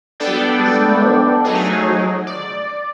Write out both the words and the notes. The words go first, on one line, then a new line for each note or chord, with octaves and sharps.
It is north of Saude Park.
B3 D4 A4 D5 G5
F#3 A3 D#4 G#4
D5